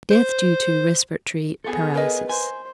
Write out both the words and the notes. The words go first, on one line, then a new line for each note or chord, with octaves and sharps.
Death due to respiratory paralysis.
C5
B3 G#4 A4 G#5
A#4 B4 D#5
C5 G#5